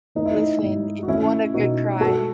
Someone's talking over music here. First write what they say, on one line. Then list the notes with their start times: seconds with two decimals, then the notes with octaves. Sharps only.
Listen, if you want a good cry
0.15 A3 D#4
0.25 E4
0.34 D#4
0.62 G#2
1.03 F#4
1.08 A3 C#4 E4
1.54 B2 D#4 F#4
2.00 G#3 F#4 A4